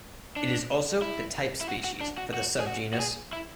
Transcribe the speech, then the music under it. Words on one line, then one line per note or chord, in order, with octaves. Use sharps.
It is also the type species for the subgenus.
D4
E4
E4
F#4
F#4
D4
F#4
F#4
G#4
F#4
F#4
G#4
E4